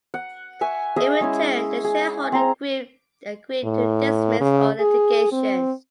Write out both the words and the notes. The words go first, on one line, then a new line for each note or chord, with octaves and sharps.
In return, the shareholder group agreed to dismiss all litigation.
F#5
E5 G#5 C#6
G#4 D#5 E5
G#3 C#4 E4
G#4
C4 A#5
A2
C#3
G#4
C4